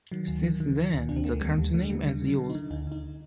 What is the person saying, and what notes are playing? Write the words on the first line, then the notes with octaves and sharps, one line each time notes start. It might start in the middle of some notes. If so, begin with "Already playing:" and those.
Since then, the current name is used.
D#3 F#3
D2
D#3
D#3
D#3
D2
D2 D4
C4
D2 A#3
A3
D#2 G3
D#2 G3
D3 A3
D#2 G3
D3 G3
D3
F#3
D3
D#4
D3
D2 D#4
D3 D#4